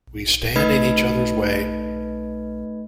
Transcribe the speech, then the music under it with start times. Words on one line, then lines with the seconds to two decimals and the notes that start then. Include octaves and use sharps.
We stand in each others' way!
0.56 A3 D#4 B4 D#5 B5 G#6